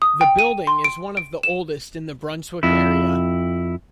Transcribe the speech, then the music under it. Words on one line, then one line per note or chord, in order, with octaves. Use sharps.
The building is one of the oldest in the Brunswick area.
D#6
G5
D#7
C6
D7
D7
E7
F2 E4